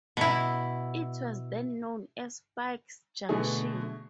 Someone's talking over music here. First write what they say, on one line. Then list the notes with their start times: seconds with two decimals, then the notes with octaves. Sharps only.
It was then known as Pike's Junction.
0.17 B2 E4
3.29 B2 D3 A3 G#4